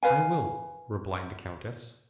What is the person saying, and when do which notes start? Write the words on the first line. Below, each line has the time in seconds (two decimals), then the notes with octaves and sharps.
"I will," replied the countess.
0.03 B4 F5 G#5